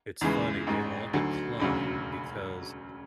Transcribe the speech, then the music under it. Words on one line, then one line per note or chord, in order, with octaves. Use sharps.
It's funny. They all declined because
E2 C#3 E3 G#3
A1 G#2 G#3
D2 D3 F#3
E1 D2 C#3 F#3 B5